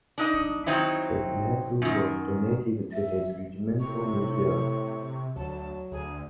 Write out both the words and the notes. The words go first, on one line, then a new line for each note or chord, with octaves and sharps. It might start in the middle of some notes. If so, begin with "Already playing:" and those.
His medal was donated to his regimental museum.
D4 D#4 D#5
D#3 F#3 C4 D#4 E4
F#2 D#3
E5
A2 C3 C#6
C3
D2 F#3 A5
D2 G#4